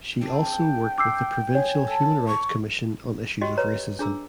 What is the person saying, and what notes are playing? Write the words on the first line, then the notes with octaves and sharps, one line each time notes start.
She also worked with the provincial human rights commission on issues of racism.
C4 D4 G#4 G5
D6 E6 C7
C#5 G#5
A4
C#6
F#4 G4 D#5 G5
B4 C#5 A#5
D4 G#4 A#5 E6